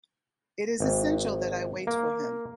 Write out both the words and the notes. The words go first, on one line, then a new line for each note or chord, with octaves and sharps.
It is essential that I wait for him.
G#1
A#3